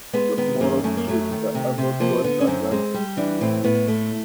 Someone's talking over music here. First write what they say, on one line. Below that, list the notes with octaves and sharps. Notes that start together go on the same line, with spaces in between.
The Smallest Ship that Ever Crossed the Atlantic!
G#3 B3
D#3 B3
F#2 A#3
F#2 A3
A#3
F#3 A3
D#3
C3
C3
F3 A#3
D3 B3
C#4
F#2 C4
G#3 C4
G3
E3 D4
A2 C4
A2 B3
A3